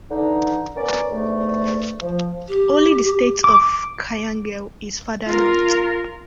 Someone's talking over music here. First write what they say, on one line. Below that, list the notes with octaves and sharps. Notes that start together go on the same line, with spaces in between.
Only the state of Kayangel is farther north.
D3 E3 D#4
B3 C#4 A#4 D5
E2 G#2 D3 A3
F3
G4
D6
F4 A#4